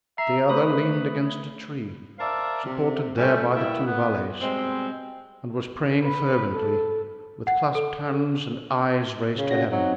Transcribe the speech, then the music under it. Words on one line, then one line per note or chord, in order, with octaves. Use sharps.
The other leaned against a tree, supported there by the two valets, and was praying fervently, with clasped hands and eyes raised to Heaven.
E5 A#5 C7
A3 B4 C5 B5 C#6 D#6
A#4 C5 D5 E5 F5 A5
C3
G3 A3 C#4
G3 A#3 B3 E4
B3
B2 G3 G#3 C4
B4
A4
F#5
A4
C#3
C#4 F#4 A#6
F#3 C4 D#4 F#4